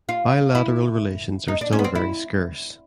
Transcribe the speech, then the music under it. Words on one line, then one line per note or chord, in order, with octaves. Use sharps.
Bilateral relations are still very scarce.
F4
E4
D#4
D4
C#4
B3
C4
E4